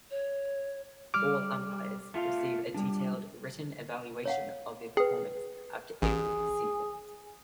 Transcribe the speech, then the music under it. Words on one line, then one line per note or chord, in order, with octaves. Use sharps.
All umpires receive a detailed written evaluation of their performance after every season.
C#5
G3 D6 F6
A3 F4 F5
G3 D4
C#5 F5 F#5
G#4 B4 G5
A1 G#4